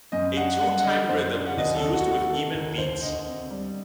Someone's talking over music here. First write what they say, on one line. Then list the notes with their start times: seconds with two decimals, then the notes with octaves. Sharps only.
A two-time rhythm is used with even beats.
0.12 F#2 D#5
0.37 D4 F#5
0.61 G3 F#5
0.80 F#5
0.85 D3 D#5
1.09 F#2 C5
1.33 D4
1.47 F#5
1.57 D#2 D#5
1.75 A4
1.82 D#2
1.94 F#4
2.06 A3
2.12 F#4
2.30 D#3 A4
2.54 D#2 A#4
2.78 D#2 C5
3.02 D2 D#5
3.27 C4
3.51 G3